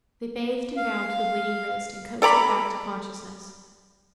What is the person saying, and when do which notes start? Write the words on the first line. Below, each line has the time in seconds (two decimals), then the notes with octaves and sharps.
They bathed and bound the bleeding wrist and coaxed her back to consciousness.
0.76 F5
2.22 A4 D5 A#5 B5